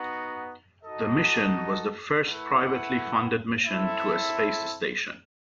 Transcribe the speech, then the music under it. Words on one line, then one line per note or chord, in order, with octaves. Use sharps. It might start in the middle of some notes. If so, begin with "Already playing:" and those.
The mission was the first privately funded mission to a space station.
Already playing: B3 D#4 F#4
D#4 F#4 A4 D#5
A3 E4 B4 F#5
C4 E4 A4 E5